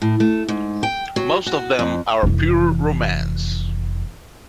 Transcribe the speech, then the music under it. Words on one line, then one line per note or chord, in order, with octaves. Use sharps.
Most of them are pure romance.
A2
A3
G#2
G5
F#3
F#4
F2
F1 E3